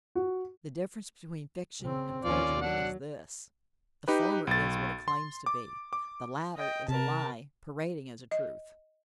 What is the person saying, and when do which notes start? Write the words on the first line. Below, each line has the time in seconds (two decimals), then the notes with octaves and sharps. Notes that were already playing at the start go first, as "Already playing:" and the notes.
The difference between fiction and forgery is this: the former is, what it claims to be; the latter is a lie parading as a truth.
0.15 F#4
1.81 C#3 C4
2.24 D#2 C#4 F4 D5
2.62 F#3 D4 F#5
4.08 D#4 G4 B4
4.47 B1 A6
5.08 C6
5.46 D6
5.93 D6
6.56 D#5 G5
6.88 C3 A#4 A5
8.31 D#5